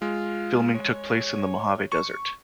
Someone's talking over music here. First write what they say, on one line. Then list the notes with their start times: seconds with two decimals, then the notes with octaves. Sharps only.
Filming took place in the Mojave desert.
0.02 G#3 F4
0.74 C#5
1.92 C#6